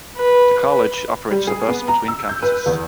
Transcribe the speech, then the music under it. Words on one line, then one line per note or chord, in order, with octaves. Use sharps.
The College operates a bus between Campuses.
B4
B4
G3
G#4
B3
A#5
E6
G6
B4
E2